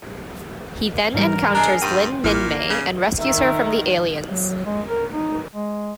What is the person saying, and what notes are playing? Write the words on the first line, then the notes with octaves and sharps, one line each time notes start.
He then encounters Lynn Minmay and rescues her from the aliens.
G#2 E3 G3 A#4
D4 G#4 D#5 A#5
G2 G5 C6 D#7
A1 A#2 A#3 E4 F6
C#3
D#3 A#4 E5
F#3
G#3
A#4
D#4
G#3